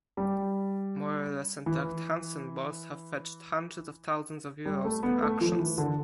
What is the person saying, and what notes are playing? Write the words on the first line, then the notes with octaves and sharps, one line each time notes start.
More-or-less intact Hansen balls have fetched hundreds of thousands of Euros in auctions.
G3
E3
G3
A3
B3
A3
F3
E3
D3